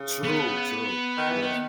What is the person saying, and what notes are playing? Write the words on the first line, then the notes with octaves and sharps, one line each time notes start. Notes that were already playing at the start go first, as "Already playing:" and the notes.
True, true. Yeah.
Already playing: C#3
B3
D#3
E3
D#3